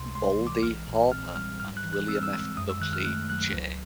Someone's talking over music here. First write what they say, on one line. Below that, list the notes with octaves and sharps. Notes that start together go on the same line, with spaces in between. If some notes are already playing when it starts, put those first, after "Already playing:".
"Baldy" Harper, and William F. Buckley J.
Already playing: C#2 C3 C6
G#3 C6
E3
D6
A#1 F6
A#2
C4 F6
G3 F6
G#2 F6
F#6
E3
F#6
C4 E6
F6
E6
G#3
F#2 D#6
E6
D#3 F#6
F6
A3 F#6
F#3 F#6
C#2